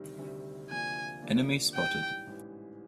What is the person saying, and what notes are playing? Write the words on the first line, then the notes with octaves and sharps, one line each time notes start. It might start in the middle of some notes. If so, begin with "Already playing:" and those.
Enemy spotted!
Already playing: D2 C3 D#3 G3
D2 C3 D#3 G3
D2 C3 F3 A#3 D4 G#5
D2 C3 F3 A#3 D4
A1 G#2 E3 G3 G5
A1 G#2 E3 G3